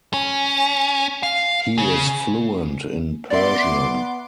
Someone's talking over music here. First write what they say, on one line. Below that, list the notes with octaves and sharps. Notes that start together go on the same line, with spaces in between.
He is fluent in Persian.
C#4
F5
C#3
B3 D5 E5 C6 D6